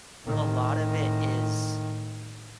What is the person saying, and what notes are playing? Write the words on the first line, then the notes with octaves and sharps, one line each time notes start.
a lot of it is
A2 D#3